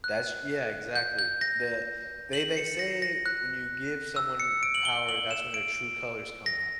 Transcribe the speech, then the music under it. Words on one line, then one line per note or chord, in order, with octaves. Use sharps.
That's yeah, exactly. The they they say when you give someone power, that's when their true colors come out.
F#6
G6
G6
A#6
F#7
C#7
A#6
A#6
F#6
E6
C#7
D7
F#7
G7
F#7
E7
D7
A#6